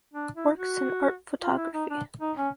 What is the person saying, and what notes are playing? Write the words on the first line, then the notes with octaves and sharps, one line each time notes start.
Works in art photography.
D4
E4
F#4
F4
E4
D#4
D4
D#4
C#4